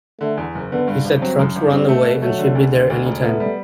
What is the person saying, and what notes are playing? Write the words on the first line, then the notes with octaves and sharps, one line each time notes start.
He said trucks were on the way and should be there "any time".
D3 A3
E2
F#1
D3 B3
G2
G1
F#3 C4
F#2
G1
G3 C4
A3
B2
F#3 A3
D3
D2
D3
D2
E1
A3 B3
G3